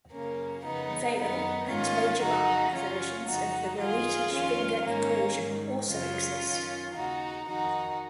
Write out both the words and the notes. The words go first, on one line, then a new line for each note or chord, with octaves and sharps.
"Weyl" and "Majorana" versions of the Rarita-Schwinger equation also exist.
F#2 C#3 A#3 C#4
F2 C#3 B3 D#4
F#2 D#3 B3 D#4
G#2 D#3 C#4 F4
F2 C#3 D#4 F#4
F#2 C#3 C#4 F4
F2 C#3 D#4 F#4
F#2 D#3 F4 G#4
F2 D#3 C#4 F4
G#2 D#3 A#3 C#4
G#2 D#3
F#2 C#3 C#4 F4
F#2 D#3
D#2 C#3 D#4 F#4
F2 D#3 D#4 F#4